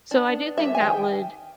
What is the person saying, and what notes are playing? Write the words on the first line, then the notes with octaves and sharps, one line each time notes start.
So I do think that would
D4
B3
G3 E5
G#5
D#3 G5